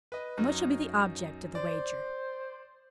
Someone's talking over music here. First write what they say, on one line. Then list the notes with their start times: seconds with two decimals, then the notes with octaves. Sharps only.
"And what shall be the object of the wager?"
0.12 B4 D#5
0.38 F#2 D#4
1.55 C5 D5